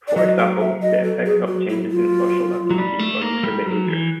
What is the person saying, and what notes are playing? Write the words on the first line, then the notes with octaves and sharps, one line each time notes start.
For example, the effects of changes in social activity or user behavior.
D5
F#3 D#5
F5
E5
D#5
A4
G#4
F#4
E4
F4
F#3
G3
A3
A#3
G3
F#3
E3